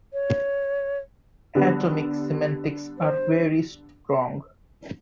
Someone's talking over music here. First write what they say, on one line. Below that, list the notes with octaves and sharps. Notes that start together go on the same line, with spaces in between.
Atomic semantics are very strong.
C#5
D3 G3 B3
C5